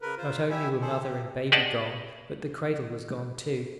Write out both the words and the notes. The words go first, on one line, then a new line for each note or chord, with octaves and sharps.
Not only were mother and baby gone, but the cradle was gone too.
C#3 A#4 B4
F4 C5
E4 G4 E5 G#5
G#4 A4 C5
G4
G4 G#4 D5 D#5 F#5 A5